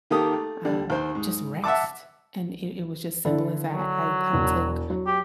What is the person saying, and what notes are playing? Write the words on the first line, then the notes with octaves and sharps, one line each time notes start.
uh, just rest, and it it was just simple as that. I d I took
D#3 A#3 G4 A4 D#6
A3
D3 G3
D#2 C5
G#2
E5 F#5 A5 D6
D3 E4 A4
F#3
E1
F#3
G4